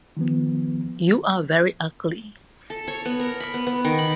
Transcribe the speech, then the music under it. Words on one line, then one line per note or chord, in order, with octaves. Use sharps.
You are very ugly!
D#3 F3 B3
A4
C#5
B3
A#4
B5
B3
B3
D#3
B5